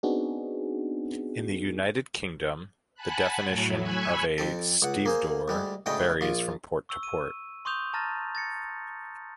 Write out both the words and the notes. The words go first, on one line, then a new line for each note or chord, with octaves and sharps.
In the United Kingdom, the definition of a stevedore varies from port to port.
B3 C4 D4 D#4 F#4 G#4
F#5 G#5 A5 B5 F#6
A2 F#3
G#5 B5 C#6 E6 F#6 G#6
F2 C4 A4
C#2 F#5
A#3 G#4 C5
D2 G3 G#3
D2 A2 C#3 G#3 D#5 G5
A#1 F4
C#6 E6
D#7
C6 C#6 D#6 G6 F7
A5 A#5 F6 A6 A#6
A6 A#6 C#7